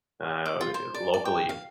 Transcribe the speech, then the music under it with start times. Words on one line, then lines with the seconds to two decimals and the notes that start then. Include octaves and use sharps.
uh, eh, locally.
0.46 D6
0.61 F4
0.74 C5
0.94 D5
1.14 D5
1.25 G5
1.49 F5